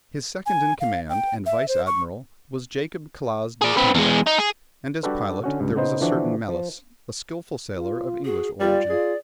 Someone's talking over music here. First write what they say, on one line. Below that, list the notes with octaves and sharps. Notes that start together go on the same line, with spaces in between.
His second in command and vice-admiral was Jacob Claaz d'Ulpenda, and as pilot there was a certain Melis, a skilful sailor of English origin.
G#5
F5
G5
E5
C5
C#6
G#4 D5
C4 B4
E2 G#3
D#4
G#4
G3 D4 F#4 G4 A4 B4
D3 C#4 F#4
C#2 G2
C#3 B3 D#4 C5
D3 E3 F3 D4 F#4
F3
F4
F#4 G#4
G3 F4 D5
F4 G#4